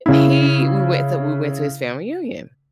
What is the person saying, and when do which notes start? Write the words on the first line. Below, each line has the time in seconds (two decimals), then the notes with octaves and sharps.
he we went to we went to his family reunion.
0.06 C#3 E4